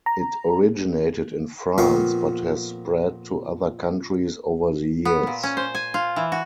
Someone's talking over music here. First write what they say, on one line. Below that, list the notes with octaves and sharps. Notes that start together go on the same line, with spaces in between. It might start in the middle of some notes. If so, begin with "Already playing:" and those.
It originated in France but has spread to other countries over the years.
A#5
F2 A#2 B3 F5 G5 C#6
B3
A#2
C#4
C5
G#5
F4
E3
F#4